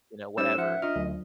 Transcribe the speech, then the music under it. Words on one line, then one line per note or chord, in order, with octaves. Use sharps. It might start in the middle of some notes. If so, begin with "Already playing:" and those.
you know, whatever.
G3 C#4 D#4 C5 E6
F3 E5 F#5
D4 F4 D#5 F6
D2 F#3